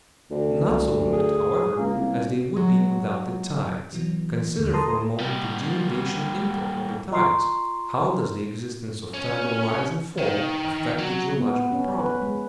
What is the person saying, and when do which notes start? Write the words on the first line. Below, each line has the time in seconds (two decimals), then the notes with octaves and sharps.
Not so limited, however, as they would be without the tides. Consider for a moment the denudation import of the tides: how does the existence of tidal rise and fall affect the geological problem?
0.31 D2
0.63 C2
1.12 G#4
1.78 C#2 A#3
1.94 C2
2.56 F#3 G#3 F#4
3.93 B2 E3 F#3
4.55 D#2 G#2 D3
4.73 A4 A#4 A5 A#5 C6 D#6
5.20 G3 A#3
7.11 F4 D#5 A#5 C6 C#6 C7
9.14 C#4
10.18 D#3
10.99 F#3
11.38 B3
11.72 C#4
11.99 B4
12.22 G#3